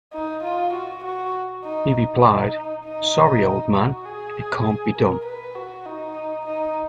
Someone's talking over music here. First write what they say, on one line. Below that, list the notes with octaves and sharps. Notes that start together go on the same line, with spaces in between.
He replied 'Sorry, old man, it can't be done.
D#4
F4
F#4
F#4
D#4
D#4
D#4
F#4
G#4
A#4
B4
F#4
D#4
D#4